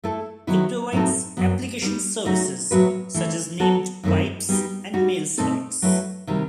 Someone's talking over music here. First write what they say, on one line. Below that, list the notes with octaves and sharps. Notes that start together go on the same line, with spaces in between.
It provides application services such as named pipes and MailSlots.
A3 E4 A4
D#3 F#3 B3 E4
A2 F#3 C4 D#4 A4
F#2 F#3 B3
G3 B3 D#4
F#3 A3 D#4 F#4
A2 F#3 B3 F#4 B4
E3 A3 E4
F#3 B3 F#4 A4
F#2 D#3 A3 C4 E4
G3 B3 D#4 G4
G3 D#4 F#4
B2 A3 C4 D#4 A4
F#3 A3 E4 B4
C3 D#3 G3